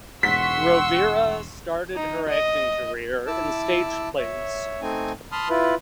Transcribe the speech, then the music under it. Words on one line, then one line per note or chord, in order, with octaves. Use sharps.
Rovira started her acting career in stage plays.
E1 G#2 F#5 C6 C#6 E6 B6
D#4
D#5
E4 A5 D6 E6
C#5 E5
A3 C4 D#4 G#5
A5 B5 C6 D#6 F6
E4 F4 B4